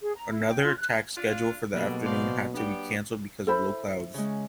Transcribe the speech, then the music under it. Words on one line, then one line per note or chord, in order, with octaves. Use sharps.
Another attack scheduled for the afternoon had to be cancelled because of low clouds.
G#4
A#5
E4
G5
F4
F#6
D4 F4
B2 D3 F#3 G3 A#3
C5 D5 F5
G3 B3 D4 G4
E4 A4 C5 B5
C#3 G#3